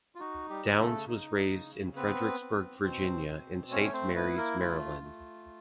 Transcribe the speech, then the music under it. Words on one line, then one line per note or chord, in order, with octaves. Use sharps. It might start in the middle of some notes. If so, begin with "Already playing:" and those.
Downes was raised in Fredericksburg, Virginia and Saint Mary's Maryland.
F4
D#4 F#4
G3 G4
C#3
A3 A4
D#4
C#3
B3 C4 B4
C4
B2 C4 C5
C4
A3 C#4 C#5
C#5
C4 C5
B3 E4 B4
A#3 A#4
A3 F4
A3